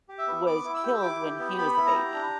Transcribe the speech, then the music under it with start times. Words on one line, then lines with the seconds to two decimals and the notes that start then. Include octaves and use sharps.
was killed when he was a baby.
0.09 G4
0.18 E5
0.27 B3
0.46 B3 D6
0.65 E4
0.74 E6
0.84 G4
1.02 E4 D6
1.21 G4
1.39 B3
1.58 B3 B5
1.74 E4 B5
1.86 A#5
1.95 G4
2.13 D4